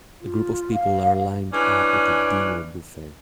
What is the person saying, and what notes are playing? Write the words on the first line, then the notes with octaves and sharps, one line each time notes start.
A group of people are lined up at a dinner buffet.
F4
F5
E3 C#4 D4